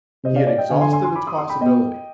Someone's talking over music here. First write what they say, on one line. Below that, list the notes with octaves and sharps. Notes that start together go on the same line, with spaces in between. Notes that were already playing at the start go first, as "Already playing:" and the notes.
He had exhausted its possibilities.
C3 C5 D#5
D5 F5
D5 F5
D#5 G5
D3 F5 G#5
G#5 C6
G#5 C6
G#5 C6
B5 D6
C6 D#6
C6 D#6
G5 B5
B3 D#5 G5